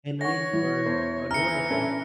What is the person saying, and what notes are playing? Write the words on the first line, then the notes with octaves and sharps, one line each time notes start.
Henry or a new one, okay.
C#5 F#5 C#6 A#6
E3
E2 C5
E3 A#5 F6 C#7
C#4 D4 A4